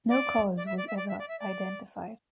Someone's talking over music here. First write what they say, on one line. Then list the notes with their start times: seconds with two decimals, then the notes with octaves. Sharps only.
No cause was ever identified.
0.09 D5
0.56 D5
0.66 E5
0.77 D5
0.87 E5
0.97 D5
1.08 E5
1.19 D5
1.28 E5
1.39 D5